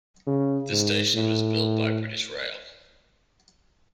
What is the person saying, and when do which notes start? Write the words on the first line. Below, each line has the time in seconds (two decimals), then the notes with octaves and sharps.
The station was built by British Rail.
0.27 C#3
0.71 G#2
1.15 A2